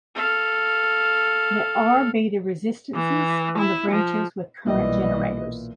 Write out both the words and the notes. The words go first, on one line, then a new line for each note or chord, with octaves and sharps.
Let R be the resistances on the branches with current generators.
A4 F5
E3
E4
F3
B1 A#2 E3 G3 D#5 E5